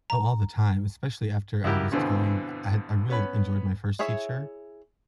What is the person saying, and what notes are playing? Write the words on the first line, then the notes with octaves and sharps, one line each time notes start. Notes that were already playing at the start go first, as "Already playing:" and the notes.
Oh, all the time, especially after I was going I had I really enjoyed my first teacher,
A#5
C#2 E4 F#4 G4 A#4
G2 B2 D3 E3 C4
B3 C#4 B5
E4 G#4 C#5 E5